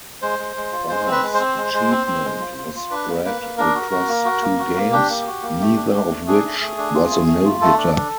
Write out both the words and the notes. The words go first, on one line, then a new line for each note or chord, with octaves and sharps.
Barr's achievement was spread across two games, neither of which was a no-hitter.
G#3 C5
G#3
G#3
F4
G#3 C5
C4
B4
G#3
C5
C4
G#3
G#3
C4
C4
G#3
F4
F4
F4
D4 B4
A#3
A#3 B4
A#3
D4 A#4
F#4
F#4
A#3
F#4
A#3
F#4
A#3
D4 G4
A#3
F#4
A#3
A3
D4
D4
A3
D4 G#4
A3
A3
D4
F4
A3
A3
F4
A3 A4
D4
D4